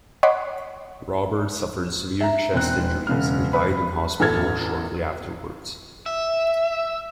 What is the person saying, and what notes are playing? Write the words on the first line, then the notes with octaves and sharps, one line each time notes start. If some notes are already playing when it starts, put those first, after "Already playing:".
Robert suffered severe chest injuries and died in hospital shortly afterwards.
C#5 D#5 F#5 B5 C6 D6
E5 A#5
E1 C4 F#6
E1 C#3 F6
B4 B5
A1 E2 A4 F6 G#6 A6
E5